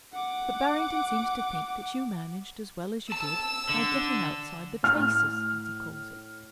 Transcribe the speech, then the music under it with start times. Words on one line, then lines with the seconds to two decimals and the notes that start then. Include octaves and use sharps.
But Barrington seems to think that you managed as well as you did by getting outside the traces, as he calls it.
0.12 F#5 D6
3.12 A5 E6
3.69 D3
4.83 A2 F6